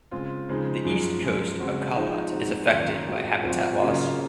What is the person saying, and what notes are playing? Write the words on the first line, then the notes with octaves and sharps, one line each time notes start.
The east coast akalat is affected by habitat loss.
C#3 G#3 C4 F4
C#3 F3 G#3 C4 D#4
F#2 F3 G#3
F#2 F3 G#3
C#3 G#3 C4 F#4
F3 G#3 D#4
A#2 G#3 C4 D#4 F#4
F#2 D#3 A#3 C#4 F4
A#2 G#3 C4 F#4
A#2 F#3 C4 F#4
C#3 F#3 A#3 C#4 F4